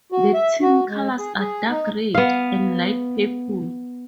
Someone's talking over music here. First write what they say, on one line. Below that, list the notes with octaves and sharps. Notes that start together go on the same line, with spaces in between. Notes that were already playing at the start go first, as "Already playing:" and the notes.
The team's colors are dark-red and light purple.
F#4
E5
F#4
G#3
G#4
G#4
D#4
B3 F5